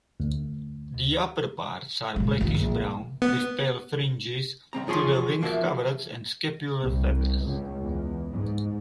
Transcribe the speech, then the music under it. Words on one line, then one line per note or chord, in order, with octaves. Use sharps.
The upperparts are blackish-brown with pale fringes to the wing-coverts and scapular feathers.
D2
A#2 G#3
F2 D#3
A#1
B3
C2 D#3 C4 A#5
E2 F3 G#4 C#5 C6
E2 F3 A#3 F#4 E5
C2
C#2
E2
G#2